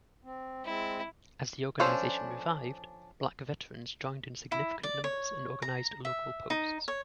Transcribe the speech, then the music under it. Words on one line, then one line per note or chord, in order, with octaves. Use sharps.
As the organization revived, black veterans joined in significant numbers and organized local posts.
C4
G#3 C4 E4
F3 C#4 D4 A4 C5
E4
D5
C#5
A#5
E5
D#4
C#5